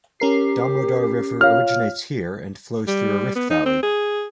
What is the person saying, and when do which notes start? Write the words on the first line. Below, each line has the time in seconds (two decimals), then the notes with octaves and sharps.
Damodar River originates here and flows through a rift valley.
0.20 C#4 G4 A#4 C7
1.41 F4 C#5 F5 F6
2.87 G3
3.35 B3
3.50 D#4
3.66 C4
3.83 G#4